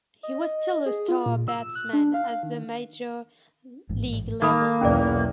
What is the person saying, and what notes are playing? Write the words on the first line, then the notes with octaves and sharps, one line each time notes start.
He was still a star batsman at the major league level.
D#5
G#4
F4
A#2
E6
F#6
D4
F5
D#3
A1 G#2
D#3 A#3 D#4 A4 B5
B1 E2 C#4 G#4 D5